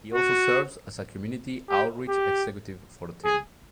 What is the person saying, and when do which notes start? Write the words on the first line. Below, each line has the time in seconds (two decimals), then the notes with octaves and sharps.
He also serves as a community outreach executive for the team.
0.14 F#4
1.70 G4
2.08 G4
3.25 G#4